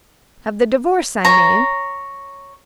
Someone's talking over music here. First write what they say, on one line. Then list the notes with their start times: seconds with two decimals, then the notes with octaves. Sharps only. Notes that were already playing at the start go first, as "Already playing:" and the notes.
"Of the divorce, I mean?"
1.25 C#5 A#5